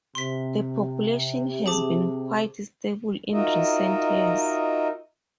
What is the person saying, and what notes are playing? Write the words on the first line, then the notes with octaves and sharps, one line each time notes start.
The population has been quite stable in recent years.
C3 C6 B6
G#4 A5 D6
D#4 F4 F#4 A#4 D#5 E5